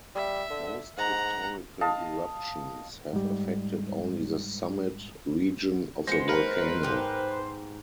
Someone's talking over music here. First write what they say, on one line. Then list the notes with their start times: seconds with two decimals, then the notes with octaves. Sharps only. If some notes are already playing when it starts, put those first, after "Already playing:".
Most historical eruptions have affected only the summit region of the volcano.
0.16 G3 E5
0.51 D3
0.98 G#2 F#5 A#5
1.81 D#5 F5 A5
3.13 G#2 G3
6.07 G#3 B3 C5 A#6 C#7
6.29 A#4 B4
6.83 G#2 G4